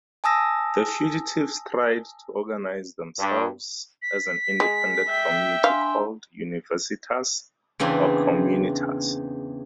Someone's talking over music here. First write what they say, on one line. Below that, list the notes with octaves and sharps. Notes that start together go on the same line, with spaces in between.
The fugitives tried to organise themselves as an independent community called "universitas" or "communitas".
G#5 A5 D#6 E6 A#6
G2
B6
G#3
E5 G5
D4 F5 G#5 C6
E2 C#3 E3 C4 D4